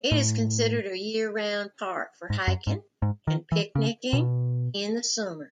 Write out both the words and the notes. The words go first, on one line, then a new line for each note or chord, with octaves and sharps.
It is considered a year-round park for hiking and picnicking in the summer.
A2
G#2
F#2
G#2
G#2
D#3
E3
C#3
B2